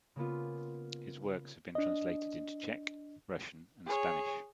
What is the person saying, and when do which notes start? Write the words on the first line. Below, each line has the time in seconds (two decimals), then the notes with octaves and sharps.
His works have been translated into Czech, Russian and Spanish.
0.16 C#3 A#3 B3 F4
1.75 D4 D#5
3.86 G#4 C#5